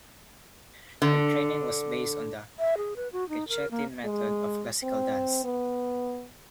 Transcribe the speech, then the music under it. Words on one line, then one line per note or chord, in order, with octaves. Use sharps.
Her training was based on the Cecchetti method of classical dance.
D3
E5
G#4
B4
F#4
D#4
A#4
A#3
G#3
C4
B3